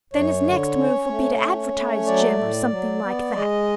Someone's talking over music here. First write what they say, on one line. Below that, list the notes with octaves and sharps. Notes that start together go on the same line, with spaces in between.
Then his next move will be to advertise Jim, or something like that.
F#2 C#5
D3
C#4
A3
C#4
A3
F#3 D5
A2
F#3
B3
G#3 D#5